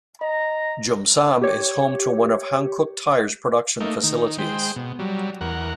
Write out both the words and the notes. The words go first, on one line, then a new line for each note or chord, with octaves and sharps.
Geumsam is home to one of Hankook Tire's production facilities.
D#5 A#5
G4 C#5
A3 A#3 D#4
D#3
G#3 C5 G5
B2
F#3 G3
E2 A#4 F#5